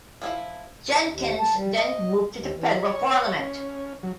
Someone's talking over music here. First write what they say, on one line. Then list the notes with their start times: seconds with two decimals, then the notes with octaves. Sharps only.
Jenkins then moved to the Federal Parliament.
0.22 F3 E4 E5
1.06 D#2
1.38 A5
1.54 G3
1.75 D#5
2.34 D#2
2.54 E3
2.83 C#5
3.39 C#4
4.03 F#3